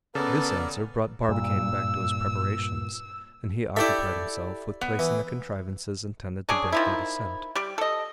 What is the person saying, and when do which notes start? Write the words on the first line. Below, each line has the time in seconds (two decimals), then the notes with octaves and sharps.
This answer brought Barbicane back to his preparations, and he occupied himself with placing the contrivances intended to break their descent.
0.15 C#3 B3 A4 A#4 D5
1.29 G2 A#2 E6
3.76 E4 G4 A4 D5 E5
4.81 B3
4.99 E3
6.49 C#4 D4 G#4
6.72 D#3 F3 E4
7.55 G3 G4
7.78 A4 D#5